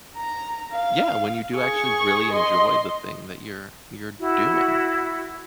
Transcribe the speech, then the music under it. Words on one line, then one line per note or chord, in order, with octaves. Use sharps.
Yeah, when you do actually really enjoy the thing that you're you're doing.
A#5
F5
G#4 C#6
D#5 C6
E4 F#4